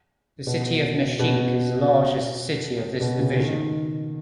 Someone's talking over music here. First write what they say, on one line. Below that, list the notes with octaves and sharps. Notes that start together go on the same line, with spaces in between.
The city of Nashik is the largest city of this division.
B2
B2
B2
C#3
D#3